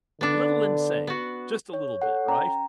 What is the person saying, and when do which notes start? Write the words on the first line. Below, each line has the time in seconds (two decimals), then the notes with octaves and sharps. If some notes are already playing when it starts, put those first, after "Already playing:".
Little insane, just a little bit, right?
0.21 D3 B3 D4
1.07 B3 F#4
1.73 C#5
2.02 A4 C#5 F#5
2.28 C#4 G5 A#5